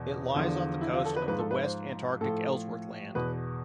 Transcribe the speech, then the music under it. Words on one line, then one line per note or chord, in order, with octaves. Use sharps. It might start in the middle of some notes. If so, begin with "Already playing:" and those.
It lies off the coast of the West Antarctic Ellsworth Land.
Already playing: E2 B2
E2 D3 F3
E4
F4
A4
B4
G#2 F3 B4
A4
B4
C5
A2 F3 A4
E2 B2 B4